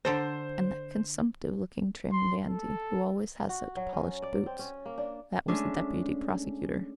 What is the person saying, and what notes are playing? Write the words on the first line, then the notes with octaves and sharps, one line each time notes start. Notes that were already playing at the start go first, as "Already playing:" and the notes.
And that "consumptive-looking" trim dandy, "who always has such polished boots"--that was the deputy prosecutor.
D3 A4 C5 A#5
C6
A4
F#4
F#3
C#4
D5
C4
C#4
A#3
D4
G#3 A3 C#4 D4